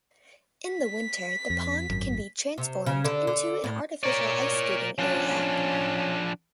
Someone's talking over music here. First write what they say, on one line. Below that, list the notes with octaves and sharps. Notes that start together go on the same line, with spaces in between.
In the winter, the pond can be transformed into an artificial ice skating area.
B6
F2
G#1 F#2
C3
C#3
D3
D3
A2
A#4 C#5 D5
F3 C#4 D4